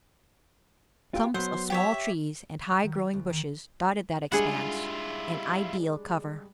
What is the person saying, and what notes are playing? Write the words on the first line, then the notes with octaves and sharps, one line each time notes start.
Clumps of small trees and high growing bushes dotted that expanse, an ideal cover.
F4 G4
F#3 B3 C5
G4 C#5 E5
F#5
D#3
C#5
D2
D#3
G3 G#3 D4 E4 F4 G#4 F#5